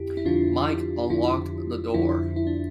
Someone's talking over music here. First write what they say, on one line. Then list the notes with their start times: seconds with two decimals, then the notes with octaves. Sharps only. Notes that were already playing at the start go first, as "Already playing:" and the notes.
Mike unlocked the door.
Already playing: F2 D3 E4 G4
0.17 E4
0.25 F2 D3 F3 D4 F4
0.68 E4
1.10 F2 D3 F3 E4
1.94 F2 D3 F3 E4
2.36 E4
2.47 D4